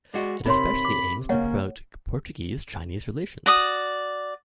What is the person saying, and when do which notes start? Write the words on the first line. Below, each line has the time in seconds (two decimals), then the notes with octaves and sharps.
It especially aims to promote Portuguese-Chinese relations.
0.14 G#3 F#4 D5 D#5
0.46 C3 D#4 A#4 C#5 B5 C6
0.85 D6
1.29 C#3 A#3 C#4 C#5 D#5 F#5
3.46 F#4 D5 D#6